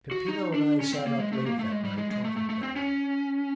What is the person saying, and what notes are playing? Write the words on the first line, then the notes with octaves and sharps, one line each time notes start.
Peppino and I sat up late that night talking about him.
F#4
D#4
D4
C#4
C4
A#3
G#3
A3
A#3
A3
G#3
G3
G#3
G#3
A3
A3
A3
C4
C#4